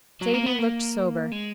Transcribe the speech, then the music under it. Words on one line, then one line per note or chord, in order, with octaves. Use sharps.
Sadie looked sober.
F#3
A#3
B3
A#3
G#3